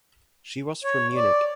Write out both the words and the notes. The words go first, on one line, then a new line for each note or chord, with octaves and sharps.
She was from Munich.
C#5
D5